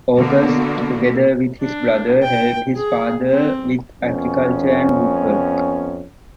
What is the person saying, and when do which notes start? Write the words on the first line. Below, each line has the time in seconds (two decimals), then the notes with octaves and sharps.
August, together with his brother, helped his father with agriculture and woodwork.
0.16 B2 D3 A#3 B3 F#4
1.61 D4
2.23 G5
2.76 G#4
3.30 C4
4.02 F2 B3 C#4